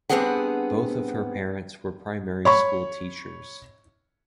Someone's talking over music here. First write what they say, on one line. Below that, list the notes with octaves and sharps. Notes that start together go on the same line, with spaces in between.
Both of her parents were primary school teachers.
G3 B3 C4 D4 G#4 F#5
C#5 B5 C#6